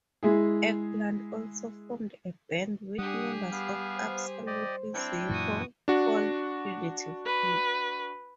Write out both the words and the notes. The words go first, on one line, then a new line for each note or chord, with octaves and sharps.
Eggplant also formed a band with members of "Absolutely Zippo" called Fugitive Kind.
G#3 E4 G#4
G3 D4 G4 G#4 F#5 D#6
B3 F5
C5
G4 D5 D#5
C4 D4 E4 G5
F#2 A#2 E3 F#4 D#6
D4 F#4
B4